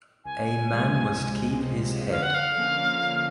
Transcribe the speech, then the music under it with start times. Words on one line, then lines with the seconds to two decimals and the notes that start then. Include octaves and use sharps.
A man must keep his head.
0.25 C#2 G#5
0.72 C3 F3 G#3
1.17 C#2
1.65 C3 F3 G#3
2.11 D3 F5
2.22 F#5
2.34 F5
2.57 F3 A#3 C#4
3.03 D3